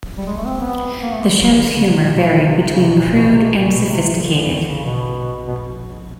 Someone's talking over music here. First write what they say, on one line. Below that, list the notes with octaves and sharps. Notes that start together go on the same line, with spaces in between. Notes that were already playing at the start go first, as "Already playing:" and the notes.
The show's humor varied between crude and sophisticated.
G3
G#3
A3
C4
B3
A#3
A3
G#3
G3
F#3
E3
D3
C#3
C3
A#2
B2
B2
C#3
C3
C#3
C3
B2
A#2
B2
C3
B2
A#2
B2
C3
D3
F3
E3
D#3
D3
C#3
B2
B2